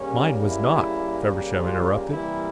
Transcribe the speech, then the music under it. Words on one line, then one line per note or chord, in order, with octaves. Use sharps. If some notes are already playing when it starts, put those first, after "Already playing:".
"Mine was not," Feversham interrupted.
Already playing: C#3 G3 A#3 C#4
E4
F4
C3 E3 G3 A#3 E4